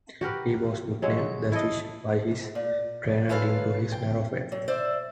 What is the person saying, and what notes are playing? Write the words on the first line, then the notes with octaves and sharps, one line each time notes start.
He was nicknamed "The Fish" by his trainer due to his narrow frame.
F#4 G4 A#4 B4
F#3 G#3 C#5 E5
E4 A4 D#5
A#2
G#3 F4 A4 B4 C#5 F5
G5
F#3
C5 D5 E5